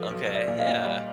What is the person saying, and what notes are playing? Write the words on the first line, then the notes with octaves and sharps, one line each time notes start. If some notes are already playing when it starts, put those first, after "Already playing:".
Okay, yeah.
Already playing: F3 A4 B4
B1
B1
D5 E5
A#2
D#5 F5
A#2
G3